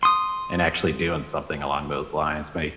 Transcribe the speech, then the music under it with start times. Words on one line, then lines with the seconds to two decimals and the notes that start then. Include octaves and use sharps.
and actually doing something along those lines. My
0.03 C6 D#6